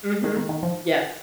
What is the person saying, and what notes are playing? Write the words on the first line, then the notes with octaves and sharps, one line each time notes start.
Mhm, yes,
D#3
D#3
D#3
F3